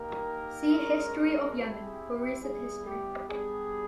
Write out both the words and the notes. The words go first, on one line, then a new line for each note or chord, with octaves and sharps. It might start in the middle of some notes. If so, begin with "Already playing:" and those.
See History of Yemen for recent history.
Already playing: A#3 D#4 G4 A#4
G#3 C#4 F#4
C4 E4 G4 A4
G#4
G4
G3 B3 E4 G#4
G4
G3 B3 D4 G4 G#4